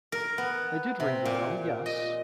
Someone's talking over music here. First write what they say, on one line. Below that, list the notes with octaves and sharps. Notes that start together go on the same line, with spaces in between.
I did ring the bell, yes.
A#4
B3
C3
A#2
D#5